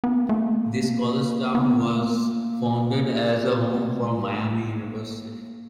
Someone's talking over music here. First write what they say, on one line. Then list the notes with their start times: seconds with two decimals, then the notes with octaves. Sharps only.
This college town was founded as a home for Miami University.
0.04 B3
0.17 A#3
0.29 A3
0.42 A#3
1.55 B3
1.79 A#3
1.95 A3
2.04 A#3
3.73 G#3
3.79 A3
3.99 G#3
4.18 G3
4.36 A3
4.56 A#3